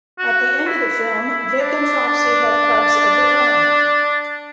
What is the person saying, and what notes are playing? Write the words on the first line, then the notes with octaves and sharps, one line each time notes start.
At the end of the film, Vic and Foxy have cubs of their own.
F#4
E4
D4
D4